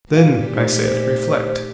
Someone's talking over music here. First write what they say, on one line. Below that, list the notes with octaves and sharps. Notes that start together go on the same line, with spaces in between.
Then, I said, reflect.
A#2 F#4 G4 A#4 F5
A3 D#4 C5